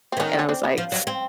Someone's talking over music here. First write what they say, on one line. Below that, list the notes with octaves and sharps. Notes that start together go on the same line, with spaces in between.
and I was, like,
C4
E3
D#3 B3 C#4
C#4
C4 D4
B3 C#4
F3
F#3
C4